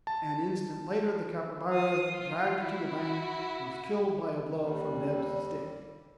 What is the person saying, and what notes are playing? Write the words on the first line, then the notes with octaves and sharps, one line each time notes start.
An instant later the capybara, dragged to the bank, was killed by a blow from Neb's stick.
A5
F5 D#6
F4
E4 F#4
D#2 G3